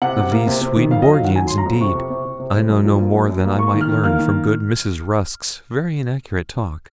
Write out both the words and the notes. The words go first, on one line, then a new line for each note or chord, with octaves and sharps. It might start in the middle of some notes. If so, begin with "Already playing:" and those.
Of these Swedenborgians, indeed, I know no more than I might learn from good Mrs. Rusk's very inaccurate talk.
C3 F#5
C3
A#3
C3
C3
D#3
F2 F5
D#5
F#3
F5
D#3 F#5
F#3 G#5
F#3 C6
A#5
F2
C3 C#6
C3
C3
C3
C3
G#3
F#2
F3
A#3
F#2
F#2
A#3
A#3 C#6
D#3
F6
D#3
A#3 F6
D#3